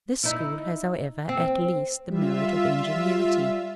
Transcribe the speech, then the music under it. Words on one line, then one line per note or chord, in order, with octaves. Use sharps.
This school has, however, at least the merit of ingenuity.
D#4 E4
C4
G3 F4 E5